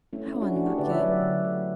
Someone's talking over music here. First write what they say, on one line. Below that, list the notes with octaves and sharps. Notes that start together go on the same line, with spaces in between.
How unlucky!
A3 C#4 E4
C#4 E4
A3
D4 F#4
A3 D4 F#4
E4 G4
D3 B4 D5
C#5 E5
F#3 B4 D5
D3
A3